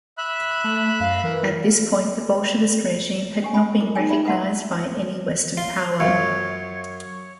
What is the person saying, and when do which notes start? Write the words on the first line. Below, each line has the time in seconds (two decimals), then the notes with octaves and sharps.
At this point, the Bolshevist regime had not been recognized by any Western power.
0.18 E5 B5 F#6
0.64 A3
1.00 F#2 F5
1.24 E3 A#4
3.42 C#4 G4 G#5
3.54 C#4 D#5 G#5 B5
3.80 E4 A#4 D6
3.95 D#4 G#4 G5 G#5
4.09 D#4 F4 D5 E5 B5
4.25 B4 D#5 E5 F#5 A5 C6
5.57 F4
6.00 F#2 F4 C#5 F5